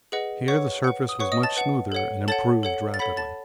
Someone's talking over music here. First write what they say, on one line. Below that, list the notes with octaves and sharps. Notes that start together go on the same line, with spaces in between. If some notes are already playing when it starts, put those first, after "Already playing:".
Here the surface was much smoother and improved rapidly.
G#4 B4 D#5 F#5
B4 C#5 F#5 C#6
B4 F#5
D#6
B4 C#5 F#5 C#6
D#5 D#6
A5 A6
B4 F#5
A4 C#5 F#5
A4 C#5 F#5 A5 A6
A4 C#5 F#5
A6
A4 C#5 F#5 B5 B6
A5 A6